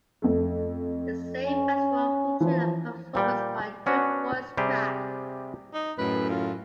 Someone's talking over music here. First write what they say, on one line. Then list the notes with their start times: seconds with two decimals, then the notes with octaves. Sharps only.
The same festival featured a performance by duo Voice Crack.
0.22 F2 A3
1.46 C#4
2.40 E3 F3
3.15 A#2 G3 G5
3.86 B3 C#4 D4 F#4
4.57 C3 G3 G4 G#4
5.74 D#4
5.98 F#2 A2 B4
6.30 F4